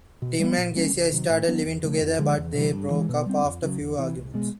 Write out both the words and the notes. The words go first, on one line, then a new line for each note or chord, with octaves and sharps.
Tim and Geisa started living together but they broke up after a few arguments.
B2
G3 B3
A#2
G3 A#3 C#4
C#2
C3 D#3 F#3
A2
F#3 B3 D4
E2
C#3 F3 A3
F2
D3 F3 G#3
E2
C3 E3 G3
G2
E3 G#3
B2
G3 C4
F2
C#3 F#3
E2
C3 E3
C2
B2 G#3